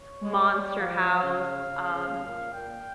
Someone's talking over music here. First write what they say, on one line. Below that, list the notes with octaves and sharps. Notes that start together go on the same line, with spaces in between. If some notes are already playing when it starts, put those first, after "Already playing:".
Monster House, um,
Already playing: C#5
G#3
G3
F3 F5
C#3
C#3
C#3
A#2
A#2 G5